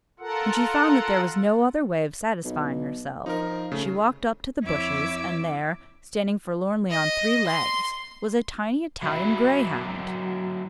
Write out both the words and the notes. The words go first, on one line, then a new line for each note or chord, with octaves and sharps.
When she found that there was no other way of satisfying herself, she walked up to the bushes, and there, standing forlornly on three legs, was a tiny Italian greyhound.
F4 A4 A#4 F#5
B1
F3 D#4 A#4
C#3 A3
F2 E4 C#5 D6 E6
D#5
C6
F#3 E4